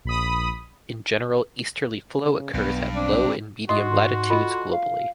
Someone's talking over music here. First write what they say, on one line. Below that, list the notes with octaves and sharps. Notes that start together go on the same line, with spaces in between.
In general, easterly flow occurs at low and medium latitudes globally.
A#1 B5 D#6
C#3
B1 G2 B3
C4 D4
G#2 F#4 D#5 E5 C6 D#6
F4 A4 D#5
F5